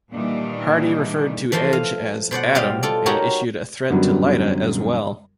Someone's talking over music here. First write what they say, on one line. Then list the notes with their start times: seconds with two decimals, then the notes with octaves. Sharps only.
Hardy referred to Edge as "Adam" and issued a threat to Lita as well.
0.12 A#2 D#3 E3 G3 D4 D#4
1.52 E3 F3 A3 C6
1.73 F5
2.31 B2 C5 D5 F#5
2.55 G3 G4 D5 D#5 F5
2.83 F4 A4 D5
3.06 D#4 F#4 G4 A#4 C#5
3.90 F#2 D3 F#3 G3 B3